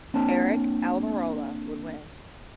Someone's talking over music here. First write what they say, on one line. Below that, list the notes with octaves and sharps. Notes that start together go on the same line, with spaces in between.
Aric Almirola would win.
A#3 C4 D4 C#5 A5